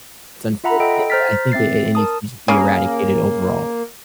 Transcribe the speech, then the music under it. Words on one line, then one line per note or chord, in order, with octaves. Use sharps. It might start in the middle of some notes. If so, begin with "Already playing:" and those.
it's unfortunate, but I think it it needs to just be eradicated overall.
F4 E5 F#5 A#5 B5
A4 D#5 G5 D7
C5 A#5 F6 A6 B6
C4 E5 A6 C7
A#4 A5 D#6
C#3 A#3